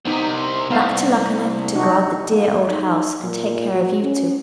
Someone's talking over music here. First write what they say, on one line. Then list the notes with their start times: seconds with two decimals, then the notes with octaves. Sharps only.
"Back to Luckenough to guard the dear old house, and take care of you two."
0.05 C2 C3 B3 D#4
0.70 C2 B3 F5
1.75 D4 D#4 F#4
2.32 A#3
2.68 D#4
3.23 A#2
3.72 F#4
4.02 C#4